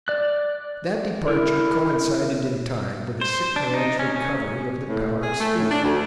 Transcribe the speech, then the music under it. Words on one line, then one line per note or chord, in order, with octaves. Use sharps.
That departure coincided in time with the sick man's recovery of the power of speech.
D5 F#6
E4 A#4
C5
D4
D#4
C#4
C#4
A2
G#4
A3
A2
D4
D2